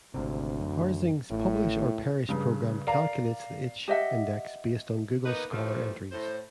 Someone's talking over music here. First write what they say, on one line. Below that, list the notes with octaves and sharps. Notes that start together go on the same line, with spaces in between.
Harzing's "Publish or Perish" program calculates the "h"-index based on Google Scholar entries.
G#1 D2 C3
F#2
A1 A2
G2 C#3
A#4 D5 F5 A#5
G4 D#5 E5 F#5
A#3 B3 D#4 B4
D#2 E3 F3 A3 C4
A2 C5